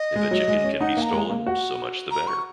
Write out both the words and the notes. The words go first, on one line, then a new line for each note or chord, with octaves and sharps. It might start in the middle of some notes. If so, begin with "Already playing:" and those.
If a chicken can be stolen, so much the better.
Already playing: D#5
G#3
F#3
G#3
C#4
D#4 F#5
A#3
A#5
G#3
A#3
F#4
A#5
C#6